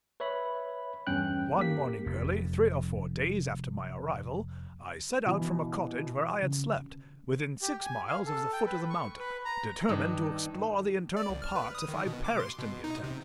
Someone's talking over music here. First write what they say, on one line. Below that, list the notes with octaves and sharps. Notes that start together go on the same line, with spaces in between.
One morning early, three or four days after my arrival, I set out from a cottage where I had slept, within six miles of the foot of the mountain, determined to explore the internal parts, if I perished in the attempt.
B4 C#5 E5 B5
E2 G2 C#4 G5 F#6
A#3 G4 B6
F1 F2
B2 E3
C#3
G4
G#5
F5
A4
G5
B4
C#6
B4
A#5
G2 D#3
D5
C2
F6
B4
D#6
D#3
B2
D6
C6
B2
D#4
C3